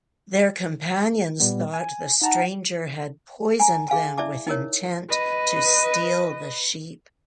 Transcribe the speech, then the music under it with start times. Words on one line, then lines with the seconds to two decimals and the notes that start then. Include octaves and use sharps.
Their companions thought the stranger had poisoned them with intent to steal the sheep.
1.40 A#2 G3 B3
1.74 G#5
2.22 D#4 F#5 A5 A#5
3.60 G#5 A#5
3.88 G#4 F5 G#5 A5
4.18 E4 D5 E5 A5 D6
4.47 D#4 E4 A#4 C#5
5.09 B4 D#5